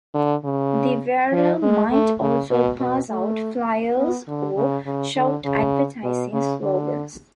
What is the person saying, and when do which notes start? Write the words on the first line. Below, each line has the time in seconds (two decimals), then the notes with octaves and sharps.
The wearer might also pass out flyers or shout advertising slogans.
0.14 D3
0.44 C#3
1.33 F3
1.62 G#3
1.92 A3
2.21 C#3
2.50 B2
2.80 B2
3.09 A3
3.97 B3
4.27 D3
4.56 C#3
4.86 C#3
5.16 D3
5.45 C#3
6.04 B2
6.33 C#3
6.62 D3